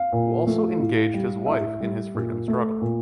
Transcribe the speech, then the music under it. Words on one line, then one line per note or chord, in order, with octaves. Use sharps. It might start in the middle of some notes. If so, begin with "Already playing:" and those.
Who also engaged his wife in his freedom struggle.
Already playing: F5
A#2
F3 A3
A2
G3
A2 E5
G3
A#2
A3
A#2